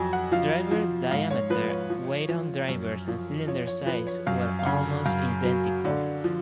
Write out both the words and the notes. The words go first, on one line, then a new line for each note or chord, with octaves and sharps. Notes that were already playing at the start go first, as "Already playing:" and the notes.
Driver diameter, weight on drivers and cylinder size were almost identical.
Already playing: F2 F#3 G#5
F#5
F3 F5
F3
G#2 F5
C#5
F3 B4
C#5
F3
F3
F#2
F3
F3 C#5
C#5
F3 B4
C#5
F#2 F5
F5
C#3 F#5
F#2 F5
F#3
D3
F3